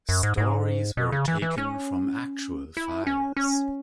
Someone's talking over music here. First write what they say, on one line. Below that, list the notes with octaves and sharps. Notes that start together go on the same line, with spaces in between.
Stories were taken from actual files.
F#2
G#2
G#2
B2
C#3
E3
E3
C#4
E4
C#4
C#4